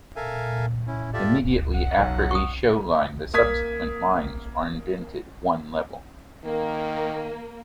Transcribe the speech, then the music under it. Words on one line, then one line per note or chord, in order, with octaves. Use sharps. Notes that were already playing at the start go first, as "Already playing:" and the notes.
Immediately after a "Show" line, the subsequent lines are indented one level.
A4 A#4 E5 F5 G#5
C#4 E4
F4 G4 A4 D5 E5
F#5
B1 F#3
C#6 D#6
A#3 D#6 G#6 B6
D#3 A#3